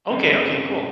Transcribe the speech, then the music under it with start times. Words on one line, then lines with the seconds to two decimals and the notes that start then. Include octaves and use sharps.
Okay, okay, cool.
0.10 G2 A#2 C#3 C4 D#4